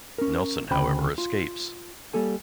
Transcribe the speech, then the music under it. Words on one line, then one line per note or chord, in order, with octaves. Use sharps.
Nelson however escapes.
C#4 A#4
D2 C#3 C5 G5 B5
F4
G3 A#3 A4 G#5